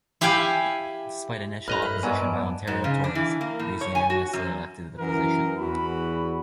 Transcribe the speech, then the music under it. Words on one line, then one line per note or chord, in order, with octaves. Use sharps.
Despite initial opposition by Ontario Tories, he was unanimously elected to the position.
E4 G4 F5 G5 G#5
A1 G2 D#5 A#5 B5 F6 F#6
A#4 E5 B5
G#2 F#3 B3 D5 G#5 A5
G#2
C#3
D4
E3
A#3
A2
C#5
G#5
F#4
F#2
F#2 E3 A#4
E2 E3 F#4 B5